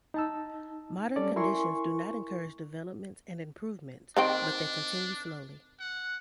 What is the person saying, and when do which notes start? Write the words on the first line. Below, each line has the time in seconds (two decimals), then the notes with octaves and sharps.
Modern conditions do not encourage developments and improvements, but they continue slowly.
0.14 D#4 A5 E6
1.16 G3 C#4 A4 D5
1.36 E4 A#4 G#5 C6 C#6
4.17 D#3 C4 D4 G5
5.80 F#5